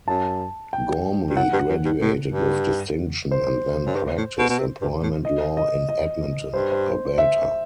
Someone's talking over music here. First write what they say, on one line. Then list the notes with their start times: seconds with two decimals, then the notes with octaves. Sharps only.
Gormley graduated with distinction, and then practised employment law in Edmonton, Alberta.
0.08 F#2 A5
0.73 G5
1.30 G2
1.37 F#2 F#5
1.53 G2
1.69 F#2
1.85 G2
2.02 A2
2.33 G2
3.31 C5
3.86 F#2
3.96 G2
4.17 A2
4.39 B2
4.50 B2
4.59 C3
4.81 G2
5.03 A2
5.25 D#5
5.57 D#5
5.89 D#5
6.53 G2 C5
6.71 C5
7.18 E5